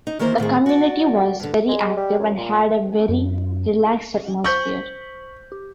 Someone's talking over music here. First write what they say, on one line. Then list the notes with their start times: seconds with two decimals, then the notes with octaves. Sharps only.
The community was very active, and had a very relaxed atmosphere.
0.07 D#4
0.19 D#3 E3 A#3 E4 A#4 C5
0.38 A2 D#3 C4 G#4
0.66 F#4 D5
1.40 G2 D3
1.69 G#3
1.97 G3
2.19 F#2
2.37 A#2
3.09 F#2
4.44 C5 C#6 G6 B6 F#7
5.52 G4